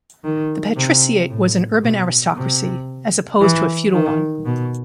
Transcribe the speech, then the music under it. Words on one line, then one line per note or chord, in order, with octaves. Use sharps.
The patriciate was an urban aristocracy, as opposed to a feudal one.
D#3
C3
A2
B2
C3
E3
D#3
B2